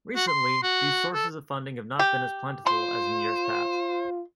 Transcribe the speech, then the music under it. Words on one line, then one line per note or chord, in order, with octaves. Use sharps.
Recently, these sources of funding have not been as plentiful as in years past.
F#4
C6
F#4
A4
G4
F4 C5 C6